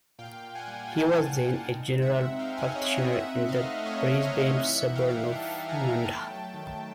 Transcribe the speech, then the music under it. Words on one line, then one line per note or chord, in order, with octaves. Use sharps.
He was then a general practitioner in the Brisbane suburb of Nundah.
A#2 F5 G5
A#2
F#5 G#5
G3
A#2 G5 A5
A#2
F#5 G#5
A#2
D#4
G#3
E5 F#5
C4
D#4 F5 G5
F#5 G#5
D#4
C#5 D#5
C4
E5 F#5
D#4 E5 F#5
D#4
D#5 F5
A3
A3 C#5 D#5
A3
D#5 F5
C4
E3 E5 F#5
D#4
F5 G5
G3
E3 G5 A5
G3
G#5 A#5
B3
A3 G5 A5
F#3
D#3